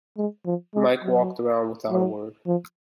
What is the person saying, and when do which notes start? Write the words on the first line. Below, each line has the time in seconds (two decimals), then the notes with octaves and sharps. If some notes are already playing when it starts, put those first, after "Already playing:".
Mike walked away without a word.
0.18 G#3
0.46 F3
0.75 G#3
1.03 F#3
1.90 F#3
2.47 F3